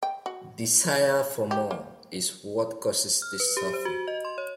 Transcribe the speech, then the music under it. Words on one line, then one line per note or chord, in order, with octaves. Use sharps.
Desire for more is what causes this suffering.
G5
F#4
G4
A#3
F6
B4
G4
C5
F#4
D#5
C6
C#5